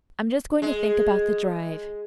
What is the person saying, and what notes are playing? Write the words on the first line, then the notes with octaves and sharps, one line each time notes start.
I'm just going to think about the drive.
G#3